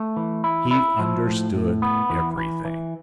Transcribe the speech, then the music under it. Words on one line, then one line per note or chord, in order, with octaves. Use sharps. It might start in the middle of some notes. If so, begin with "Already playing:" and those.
He understood everything.
Already playing: A3
E3
E4
E4
F3
A2
A2
B3
E3
E3
E3